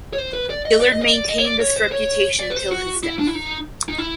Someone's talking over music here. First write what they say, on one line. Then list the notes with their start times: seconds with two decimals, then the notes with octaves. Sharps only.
Gillard maintained this reputation until his death.
0.13 C#5
0.18 C5
0.33 B4
0.50 D5
0.65 D#5
0.81 D5
0.92 D#5
1.02 D#5
1.13 D5
1.29 D#5
1.39 C#5
1.45 D5
1.60 C#5
1.76 C5
1.92 C#5
2.40 D5
2.50 B4
2.55 C5
2.72 F#4
3.03 E4
3.19 D4
3.27 E4
3.35 D#4
3.89 D#4
3.98 E4